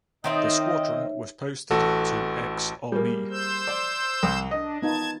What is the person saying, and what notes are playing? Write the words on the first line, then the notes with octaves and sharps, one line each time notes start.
The squadron was posted to "X Armee".
D#3 C4 D#4 F4 C#5 D#5 E5
A1 F#4 A4
G3 A#3 G#4
C5 E6 G6
D5
C2
D4 D#5
B3 D#4 F4 A5 G#6